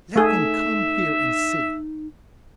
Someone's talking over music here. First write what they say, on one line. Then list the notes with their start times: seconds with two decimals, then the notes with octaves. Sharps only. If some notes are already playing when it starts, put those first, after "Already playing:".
Let them come here and see.
0.16 A3 D#4 G#4 E5